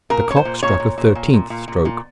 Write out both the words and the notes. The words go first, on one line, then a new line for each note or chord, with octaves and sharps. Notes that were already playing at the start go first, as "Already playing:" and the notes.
The clock struck a thirteenth stroke.
A#2 A#4
A#2 C#5
C5
A#2
A#2 C#5
A#2
A#2
A#2
A#2
A#2
A#2
A#2